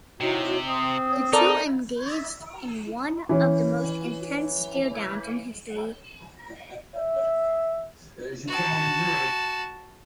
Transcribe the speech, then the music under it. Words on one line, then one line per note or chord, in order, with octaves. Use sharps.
The two engaged in one of the most intense staredowns in history.
C3 D#4 E4 F#4 C#5
C4 D#6
D#4 A4 A#4 D5
E3 C#4
E5
F#4 A5